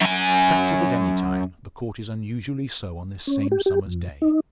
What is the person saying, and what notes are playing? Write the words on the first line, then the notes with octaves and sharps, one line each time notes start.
Attractive at any time, the Court is unusually so on this same summer's day.
F#2 G#5
C#4
G4
G4
F2
D#4